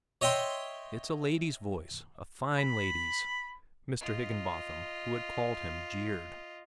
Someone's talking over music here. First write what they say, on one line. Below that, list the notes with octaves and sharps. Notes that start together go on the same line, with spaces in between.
"It's a lady's voice, a fine lady's," Mr. Higginbotham, who had called him, jeered.
C#5 D#5 E5 G5 C6
B5
F4 D#5